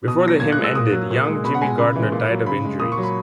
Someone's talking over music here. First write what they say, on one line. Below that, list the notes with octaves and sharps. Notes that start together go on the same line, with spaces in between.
Before the hymn ended, young Jimmy Gardner died of injuries.
B2 D#6
F#3 A#6
A#2 G#6
F#6
G#3
E6
A#2 D#6
F#3
A#2
G#3
B2 B5
F#5
G#3 G#5
C#3 B5
E3 G#3
A#2
F#3
C#3 B5
G#3
A#2 D#6
C#6
F#3
B5